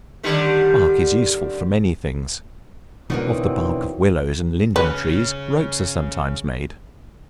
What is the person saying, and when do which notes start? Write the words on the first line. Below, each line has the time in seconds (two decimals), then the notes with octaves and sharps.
Bark is useful for many things: of the bark of willows and linden trees, ropes are sometimes made.
0.23 D3 D#3 G3
3.10 B2 D3 E3 F#3 C4 D#4 F#4 A#4
4.76 C#3 C#4 B4